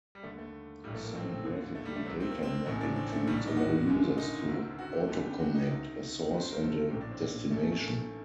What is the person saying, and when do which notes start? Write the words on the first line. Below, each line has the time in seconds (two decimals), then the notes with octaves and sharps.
Some graphical data mapping tools allow users to "Auto-connect" a source and a destination.
0.15 G3
0.23 D#2 D3 A3
0.38 A3
0.84 A#1 A2 G3
0.94 A3
1.04 A#3
1.15 C4
1.29 C4
1.44 D#2 D3 A#3
1.75 A3
1.85 G3
1.96 A3
2.05 C2 C3 D#3 C4
2.20 C4
2.31 A#3
2.43 C4
2.65 A1 A2 D#4
2.81 D4
2.96 C4
3.12 A3
3.27 A#1 G3
3.31 A2
3.37 D4
3.47 D#4
3.57 F#4
3.87 F#1 F#2 D3
4.18 D#4
4.48 D2 C3 D#3
4.79 F#4
4.94 G4
5.08 G1 F#2 D3 A4
5.25 G4
5.39 F#4
5.55 D#4
5.69 C2 C3 D#3
6.30 G1 G2 D#3 F#4
6.40 C5
6.51 A#4
6.61 A4
6.91 A#1 A2 G4
7.01 D4
7.11 C4
7.21 A#3
7.51 A1 G2 D#3 A3
7.61 A3
7.72 A3
7.82 A#3